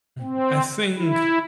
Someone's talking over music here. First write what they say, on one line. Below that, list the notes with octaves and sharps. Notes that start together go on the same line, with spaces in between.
Hmm, I think
C4
E4